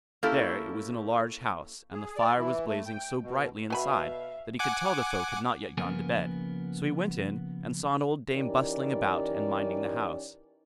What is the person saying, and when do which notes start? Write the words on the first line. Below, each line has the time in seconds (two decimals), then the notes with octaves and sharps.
There it was in a large house, and the fire was blazing so brightly inside, that he could tell the folk had not yet gone to bed; so he went in and saw an old dame bustling about and minding the house.
0.23 A#3 C#4 E4 G4 A4
1.93 G#4
2.16 D5
2.37 E3
2.66 A3
2.86 G5
3.22 B2
3.70 B2 F#4 E5 F5 G#5 B5
4.59 F#5 G#5 D6
5.78 C#3 F3 A#3 B3 A#4 G#5
8.34 E3 C#4 D#4 G4 A#4 D5